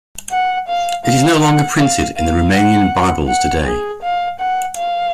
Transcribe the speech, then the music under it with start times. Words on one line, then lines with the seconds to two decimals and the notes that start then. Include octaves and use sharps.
It is no longer printed in the Romanian Bibles today.
0.32 F#5
0.68 F5
1.05 F5
1.42 F#5
1.79 F5
2.17 F5
2.54 F#5
3.27 F#5
3.65 G#4
4.02 F5
4.39 F#5
4.77 F5